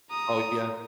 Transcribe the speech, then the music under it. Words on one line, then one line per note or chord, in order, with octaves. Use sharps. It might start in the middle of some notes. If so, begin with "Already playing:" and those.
Oh, yeah.
A#5 D#6